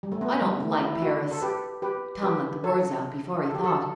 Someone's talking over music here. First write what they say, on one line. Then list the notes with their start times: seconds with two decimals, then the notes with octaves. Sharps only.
"I don't like Paris." Tom let the words out before he thought.
0.03 G3
0.12 A3
0.21 B3
0.41 G3
0.61 A3
0.82 E4
0.95 E4
1.02 F#4
1.31 A4
1.42 G4 B4
1.82 G4 B4
2.23 G4 B4
2.64 A4 C#5
3.44 A4
3.54 G4
3.64 F#4 A4